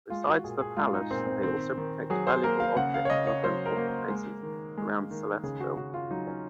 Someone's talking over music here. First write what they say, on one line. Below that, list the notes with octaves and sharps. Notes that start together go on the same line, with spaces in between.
Besides the palace they also protect valuable objects and other important places around Celesteville.
G#3 F4
F#4
A#2 G#4
G#4
G#3 F4
D#4
A#2 C4
C4
D#3 C4
D#3
F#3 G#4
C5
A#3 A#4
F5
C#3 F#5
F5
C#5
C#3 D#5
C#5
F#3 C5
A#4
A#3
A#4
G#3
D#3
G#3
D#3
C#3 G#4
F#4
C#3 F#4
F4
F#3 D#4
C#4